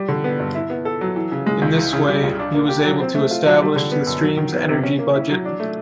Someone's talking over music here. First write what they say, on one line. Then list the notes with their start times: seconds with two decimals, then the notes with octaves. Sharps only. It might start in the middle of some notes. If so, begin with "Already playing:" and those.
In this way he was able to establish the stream's energy budget.
Already playing: G3
0.08 D3
0.24 B3
0.40 G2
0.55 E4
0.70 B3
0.85 A4
1.01 F#3
1.16 E3
1.32 C#3
1.46 G#3
1.62 C#2
1.77 E3
1.93 C#3
2.08 G3
2.23 C#2
2.39 D4
2.54 A#3
2.69 G4
2.85 F#3
3.00 C4
3.15 A3
3.31 F4
3.46 F#3
3.62 G3
3.76 D3
3.92 B3
4.07 F#2
4.22 F#3
4.37 D#3
4.53 B3
4.68 C3
4.83 C#4
4.99 A#3
5.14 E4
5.29 F#3
5.45 D4
5.60 A3